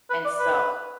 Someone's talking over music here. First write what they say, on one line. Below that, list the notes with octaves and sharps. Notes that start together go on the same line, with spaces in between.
And so
B4
D5
B4